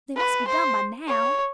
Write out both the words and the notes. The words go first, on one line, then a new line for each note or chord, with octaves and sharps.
"They must be done by now."
B4
C5
C#5